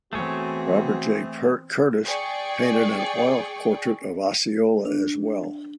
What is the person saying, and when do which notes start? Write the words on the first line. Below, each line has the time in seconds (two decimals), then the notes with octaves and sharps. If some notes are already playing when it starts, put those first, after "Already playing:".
Robert J. Curtis painted an oil portrait of Osceola as well.
0.13 E3 A3 B3 C4 F#4 G#4 C#5
2.05 G#4 D5 G5 C#6
4.85 D4